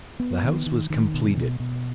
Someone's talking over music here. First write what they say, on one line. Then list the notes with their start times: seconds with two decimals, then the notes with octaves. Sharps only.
The house was completed.
0.20 B3
0.44 D#3
0.66 D#3
0.90 D#3
1.14 B2
1.37 B2
1.60 B2